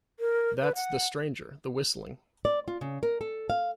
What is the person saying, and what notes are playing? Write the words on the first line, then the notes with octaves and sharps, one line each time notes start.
That's 'The Stranger,' the whistling.
A#4
B4
F#5
D5
F4
C#3
A#4
A4
F5